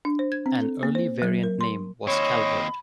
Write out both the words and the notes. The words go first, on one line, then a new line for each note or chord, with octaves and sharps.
An early variant name was Calvert.
D4
C5
G#6
C4
A4
A#3
C5
F#3
A#4
C6
D#2 C4 C#5 D#5 B5